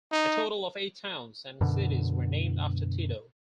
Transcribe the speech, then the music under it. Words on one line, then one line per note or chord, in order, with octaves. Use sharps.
A total of eight towns and cities were named after Tito.
D#4
F#2 B2 D3